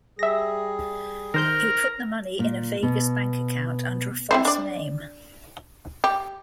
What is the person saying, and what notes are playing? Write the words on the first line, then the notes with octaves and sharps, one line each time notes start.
He put the money in a Vegas bank account under a false name.
G3 G#4 E5 A#6
D#3 A#4 C5 G6
A#2
B2
C4 E4 C5
D4 D5
G4